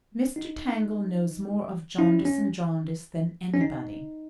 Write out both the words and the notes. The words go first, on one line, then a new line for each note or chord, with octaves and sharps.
Mr. Tangle knows more of Jarndyce and Jarndyce than anybody.
D#4
C#4 E4
C#4
C#4
D#4